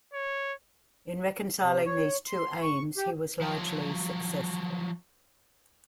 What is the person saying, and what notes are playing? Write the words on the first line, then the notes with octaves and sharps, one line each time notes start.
In reconciling these two aims he was largely successful.
C#5
C3
C#5
C6
C#6
G4
F3 F#3